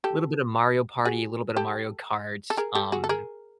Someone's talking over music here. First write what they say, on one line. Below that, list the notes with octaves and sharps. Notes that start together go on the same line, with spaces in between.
little bit of Mario Party, little bit of Mario Karts, um
G4 A4
F#4 G#4
G4 A4
A4
G#4 A#4
G4 A4
F#4 G#4
A4
G#4 A#4